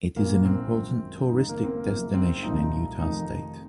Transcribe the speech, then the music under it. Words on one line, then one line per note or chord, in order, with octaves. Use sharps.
It is an important touristic destination in Utah State.
A#1 A#2 F3 A#3
C4
G#1 F#2 F3
G#1 F#2 C#3 D#4
A#3
C4
A#3
F#1 F#2 F3 A#3
C4
C2 A#2 F3 D#4
F1 F2 D#3 D#4